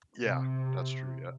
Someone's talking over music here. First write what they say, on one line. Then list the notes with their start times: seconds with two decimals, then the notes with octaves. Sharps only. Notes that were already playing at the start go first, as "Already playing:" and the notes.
Yeah. That's true. Yeah.
0.23 C3